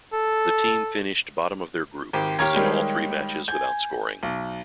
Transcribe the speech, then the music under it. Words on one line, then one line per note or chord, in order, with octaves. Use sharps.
The team finished bottom of their group, losing all three matches without scoring.
A4
G#1 G4 C5
D#2 G4 C#5 F5 A#5 G#6
D#3 G3 G#3
G#5 G6
B1